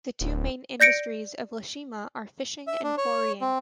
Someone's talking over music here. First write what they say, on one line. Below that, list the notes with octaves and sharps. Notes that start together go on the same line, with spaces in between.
The two main industries of Ieshima are fishing and quarrying.
D1
D5 G6 A#6 C#7 D7
E5
D4
C#5
C4